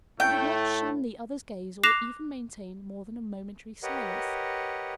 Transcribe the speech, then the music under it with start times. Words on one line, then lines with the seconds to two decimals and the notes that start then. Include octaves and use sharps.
He did not shun the other's gaze or even maintain more than a momentary silence.
0.20 A2 A3 G5
1.83 D6 F#6 A#6 C7 E7 F7
3.83 G4 A#4 B4 C#5 D#5 F#5